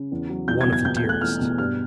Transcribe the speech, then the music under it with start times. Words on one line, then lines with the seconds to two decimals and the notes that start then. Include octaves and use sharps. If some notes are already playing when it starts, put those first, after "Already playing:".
One of the dearest.
Already playing: C#3
0.11 E2
0.29 F#3
0.48 E2 G6
0.61 G#6
0.67 B2
0.73 G#6
0.85 B2 G6
0.97 G6
1.03 A3
1.09 F#6
1.21 E2 F6
1.40 B2
1.58 G2 F6